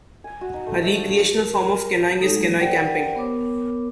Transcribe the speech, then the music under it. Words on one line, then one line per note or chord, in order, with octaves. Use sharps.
A recreational form of canoeing is canoe camping.
G#5
F#4
D#4
A3
E5
D4
A#4
G#3 D#4 A4
F#3 A#3
G4 A#4 C5 D5 F#5 G5
B3 A#4 C#5 D6